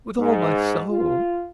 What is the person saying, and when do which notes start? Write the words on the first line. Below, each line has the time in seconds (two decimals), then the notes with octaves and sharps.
"With all my soul."
0.19 G#2
0.90 F4